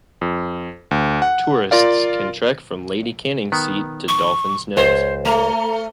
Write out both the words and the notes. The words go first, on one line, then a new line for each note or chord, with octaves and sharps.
Tourists can trek from Lady Canning's Seat to Dolphin's Nose.
F2
D2
F#5
F4 A#4 D5 F5
D#3 B3
C#6
C#2 C5 C#5
A3 A#5